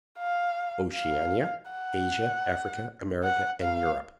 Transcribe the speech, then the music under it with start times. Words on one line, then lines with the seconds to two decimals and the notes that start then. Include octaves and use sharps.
"Oceanica, Asia, Africa, America, and Europe."
0.19 F5
0.94 F5
1.71 F#5
3.23 F#5
3.62 F5